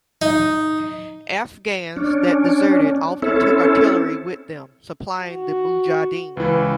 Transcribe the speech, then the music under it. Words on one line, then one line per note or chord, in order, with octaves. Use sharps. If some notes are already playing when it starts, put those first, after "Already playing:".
Afghans that deserted often took artillery with them, supplying the mujahideen.
D#4
C#4 D4
C4 C#4 E4 A4
F#4
C#2 E3 B4